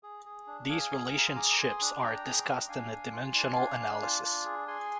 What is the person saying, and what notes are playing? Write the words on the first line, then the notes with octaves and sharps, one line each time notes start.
These relationships are discussed in dimensional analysis.
G#4
G#4
D4
G#4 F5 G#5
G#4
G#4 A#5
C6
G#4 A#5 D6
A#5
G#4 G#5 C6
D4
D4 G5 A#5
G#4
D6
D4 C6
A#5
D4 F5 G#5
D4
F4
D4
D4
D4
F4
D4
G#4
G#4 G#5 C6